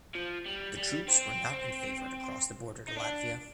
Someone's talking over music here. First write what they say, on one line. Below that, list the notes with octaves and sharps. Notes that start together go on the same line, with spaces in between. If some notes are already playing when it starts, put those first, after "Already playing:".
The troops were not in favor to cross the border to Latvia.
F3
G3
G3
C4
D#4
D4